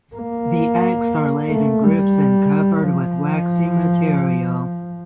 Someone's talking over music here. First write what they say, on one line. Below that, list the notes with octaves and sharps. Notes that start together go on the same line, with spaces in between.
The eggs are laid in groups and covered with waxy material.
A#3
A3
G3
F3